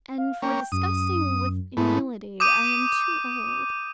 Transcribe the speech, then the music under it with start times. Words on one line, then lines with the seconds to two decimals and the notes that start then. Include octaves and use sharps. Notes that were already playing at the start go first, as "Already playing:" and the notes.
And for discussing with humility I am too old.
0.18 F5
0.42 A#3 C#4 G5
0.72 F#2 D#6
1.77 G#2 A3 B3 E4
2.40 D6 D#6 G6 D#7